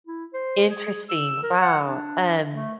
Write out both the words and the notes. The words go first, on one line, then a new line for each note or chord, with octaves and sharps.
Interesting. Wow, um
E4
C5
G#4
E6
A#4
F#5
D4
A3